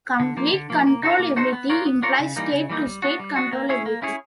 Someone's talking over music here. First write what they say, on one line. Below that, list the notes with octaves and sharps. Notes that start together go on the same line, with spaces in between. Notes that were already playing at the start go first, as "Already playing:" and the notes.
Complete controllability implies state-to-state controllability.
D3
F3 A#3
D3
F3 A#3
A#3
D#4 F#4 A4 C5
A#3
D#4 F#4 A4 C5
B3
D4 F4 A#4 C#5
B3
D4 F4 A#4 C#5
C#3
E3 G3 A#3 D#4
C#3
E3 G3 A#3 D#4
G3
B3 D4 F#4
G3
B3 D4 F#4
A#3
C#4 E4 G#4 C#5
A#3
C#4 E4 G#4 C#5